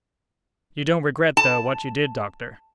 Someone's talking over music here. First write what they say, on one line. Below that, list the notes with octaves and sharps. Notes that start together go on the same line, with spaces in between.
"You don't regret, though, what you did, doctor?"
A5